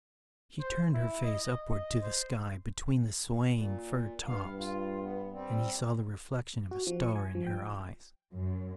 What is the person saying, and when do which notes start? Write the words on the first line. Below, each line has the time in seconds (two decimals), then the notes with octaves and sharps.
She turned her face upward to the sky between the swaying fir tops and he saw the reflection of a star in her eyes.
0.60 C5
0.94 E4
1.24 D#5
1.71 D#5
2.02 C5
3.53 A#2
4.26 G2 B3 F5
4.58 F4
5.02 B3
5.32 G3 C4
6.71 F#4
6.87 F3
7.02 C#6
7.16 G#5
7.35 F3
7.47 G5
8.33 F#2